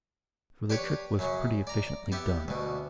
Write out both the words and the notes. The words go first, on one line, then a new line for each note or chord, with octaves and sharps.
For the trick was pretty efficiently done.
D4 G4 B4 C#5 B5 C#6
F#2 C#3
D5 A#5
B3 G4 E5
D2 B2